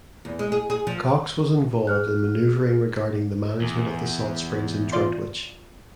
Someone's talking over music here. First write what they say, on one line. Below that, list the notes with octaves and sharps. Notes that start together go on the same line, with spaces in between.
Cocks was involved in manoeuvring regarding the management of the salt springs in Droitwich.
E2
G#3
G#4
G#4
F3
G#4 F6 F#6
E2
F4 D5 C6